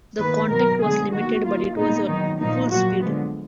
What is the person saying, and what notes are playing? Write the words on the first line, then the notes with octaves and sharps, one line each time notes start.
The contact was limited, but it was at full speed.
D#3 A#3 B4
B2 F#3 B3 A#4
D3 G#3 B3 G#4
D#3 A#3 F#4
D#3 A#3 F4
A#2 G#3 B3 D#4
D#3 F#3 B3 D#4
A#2 F3 A#3 D#4
A#2 F#3 A#3 F#4
D3 F3 G#3 B3